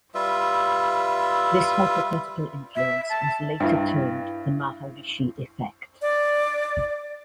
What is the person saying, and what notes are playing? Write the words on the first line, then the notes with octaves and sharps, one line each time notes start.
This hypothetical influence was later termed the Maharishi Effect.
G3 F4 B4 E5
E5
A5
G2 E4 E5 G5
D5